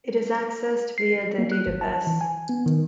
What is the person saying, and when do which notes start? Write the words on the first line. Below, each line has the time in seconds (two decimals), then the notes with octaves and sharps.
It is accessed via the data bus.
0.98 C7
1.38 A#3
1.52 F#6
1.67 G#1
1.81 A5
2.07 E3
2.21 G#5
2.49 B3
2.66 D#3